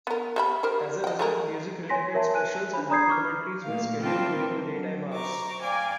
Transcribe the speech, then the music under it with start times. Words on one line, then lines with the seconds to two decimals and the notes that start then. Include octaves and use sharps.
As a result, music-related specials and documentaries were scheduled during the daytime hours.
0.07 B3 A#4
0.36 G3 E5 B5
0.63 G4 A#4 C5
1.04 D#5 G5
1.19 A3 G#4 A#4
1.89 C#5 G#5 C6 A#6 B6
2.14 A#4 C#5 E5 A5
2.34 G#5 F#6 D#7
2.73 D4 B5
2.90 A#5 B5 D#6 G6 G#6 C7
3.09 C#6 D6 F6
3.62 A#2 A3 F5
4.00 E3 G3 C4 F4 G5 A5
4.37 A#4
4.71 F#3
5.13 C5 A#5 C#6 D6
5.62 D5 F5 G5 G#5 D6